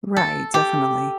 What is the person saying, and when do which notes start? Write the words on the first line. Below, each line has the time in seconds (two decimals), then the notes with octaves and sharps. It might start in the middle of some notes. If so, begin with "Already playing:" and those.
Right, definitely,
0.17 A4
0.54 G4